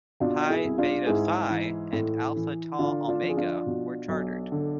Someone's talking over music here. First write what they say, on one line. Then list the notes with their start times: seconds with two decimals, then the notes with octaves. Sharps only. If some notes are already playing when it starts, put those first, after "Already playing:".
Pi Beta Phi and Alpha Tau Omega were chartered.
0.20 B2 D4 F4
0.49 E4 G#4
0.64 C2
0.78 D4 F4
1.06 G#2 E4 G#4
1.50 E3
1.93 A2
2.36 E3
2.79 D3 D4 F4
3.08 D4 F4
3.22 F3
3.29 G#4
3.37 D4 F4
3.66 B2
4.08 B1
4.52 D3